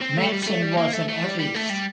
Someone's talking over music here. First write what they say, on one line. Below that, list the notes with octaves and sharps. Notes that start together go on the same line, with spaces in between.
Matson was an atheist.
C4
A3
G3
G3
A3
G3
A#3
A3
A3
G3
G3
A3
G3